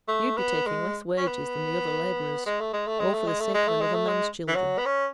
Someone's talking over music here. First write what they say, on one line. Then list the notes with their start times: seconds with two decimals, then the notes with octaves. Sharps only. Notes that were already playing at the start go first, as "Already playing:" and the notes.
You'd be taking less wages than the other labourers--all for the sake of another man's children.
0.08 A3
0.37 B3
0.67 G#3
1.18 C#4
1.27 B3
2.46 G#3
2.60 A3
2.73 G#3
2.87 A3
3.00 G#3
3.14 A3
3.27 G#3
3.41 A3
3.54 G#3
3.68 A3
3.81 G#3
3.94 A3
4.08 G#3
4.48 E3
4.55 F#3
4.78 B3
4.86 C#4